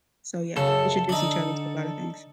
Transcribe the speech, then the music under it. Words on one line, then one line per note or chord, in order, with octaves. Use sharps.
So, yeah, introduce each other to a lotta things.
F#2 C#3 A4
D3 D4 D#4